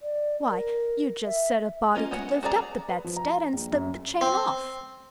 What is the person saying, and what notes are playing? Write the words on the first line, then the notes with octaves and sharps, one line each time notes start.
"Why, you just said a body could lift up the bedstead and slip the chain off."
D5
A#4
E5
A#3 C#4 F4 D#5
G#3 B3 C#4 F#4 F#5
F#4 G#4 D5 A#5
B4
F3
A#5
A#1
F#2
C4